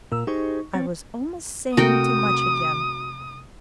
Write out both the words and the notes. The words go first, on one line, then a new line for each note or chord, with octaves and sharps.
I was almost saying too much again.
A#2 A#4 E6
D#4 G4 G#4 C5 C#6
C4 C#5 A6
C3 A3 F#4 A#4 G5 D#6